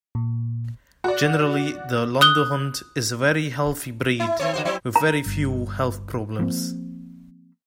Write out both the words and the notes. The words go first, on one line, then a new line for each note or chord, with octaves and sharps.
Generally the Lundehund is a very healthy breed with very few health problems.
A#2
F#4 D5
D#6 F#6 G7
E4
D#3 C4 C#5
D3 F#4 C5
F#3 C4 E4
A#5
G1
F3 A#3 C4